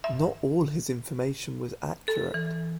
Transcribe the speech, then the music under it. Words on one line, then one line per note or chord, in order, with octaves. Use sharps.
Not all of his information was accurate.
E5
A4
E3